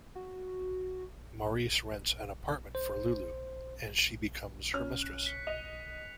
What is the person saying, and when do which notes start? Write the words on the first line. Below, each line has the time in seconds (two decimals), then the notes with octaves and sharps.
Maurice rents an apartment for Lulu and she becomes her mistress.
0.15 F#4
2.75 C5
4.74 C#4 F6
5.02 F#6
5.26 B6 C#7
5.47 D#5 F7